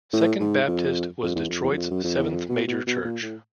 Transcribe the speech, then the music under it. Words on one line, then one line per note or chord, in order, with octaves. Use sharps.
Second Baptist was Detroit's seventh major church.
A2
G#2
F2
F2
E2
F2
E2
F#2
F2
F#2
F2
E2
F2
B2
B2
B2
A#2
A2